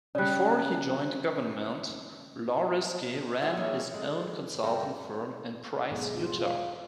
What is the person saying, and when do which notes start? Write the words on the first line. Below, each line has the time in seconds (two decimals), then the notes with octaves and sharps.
Before he joined government, Lauriski ran his own consulting firm in Price, Utah.
0.15 C#3 G3 D5 F#6
3.42 G#3 B3 C#4 F4 G#4 E5
3.57 F3 G3 A#3 G#4 C#5 E5
3.94 D2 G#3 A4
4.63 G2 C#3 G3 A4 A#4 G5
5.91 B1 E2 G#2
6.14 F4
6.42 F5